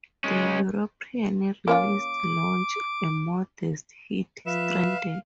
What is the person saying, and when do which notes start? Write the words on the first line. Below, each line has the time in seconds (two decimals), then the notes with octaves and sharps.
The European release launched a modest hit, "Stranded".
0.24 G#3 C#4
1.68 A#3 C#4 F4 D6
4.46 F3 B4 E5 F5 E7